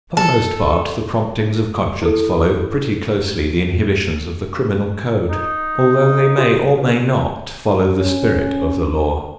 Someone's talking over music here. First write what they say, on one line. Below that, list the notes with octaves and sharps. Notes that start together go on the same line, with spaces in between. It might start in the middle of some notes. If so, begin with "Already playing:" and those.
For the most part the promptings of conscience follow pretty closely the inhibitions of the criminal code, although they may or may not follow the spirit of the law.
A4
E4 A4
D#4
F#4 G4 A4
B4
C#4